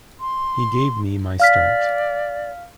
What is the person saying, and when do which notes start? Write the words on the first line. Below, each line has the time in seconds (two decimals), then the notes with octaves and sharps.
He gave me my start.
0.20 C6
1.40 D5 F5 F6 B6